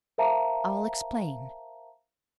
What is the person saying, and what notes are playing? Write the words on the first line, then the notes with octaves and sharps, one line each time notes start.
I'll explain.
A#4 C5 E5 F5 A5 A#5